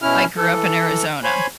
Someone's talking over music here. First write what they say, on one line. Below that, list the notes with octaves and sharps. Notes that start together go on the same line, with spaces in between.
I grew up in Arizona.
B2 C#4 E4 F6
E3 A4
C5 C#5 G#5 B5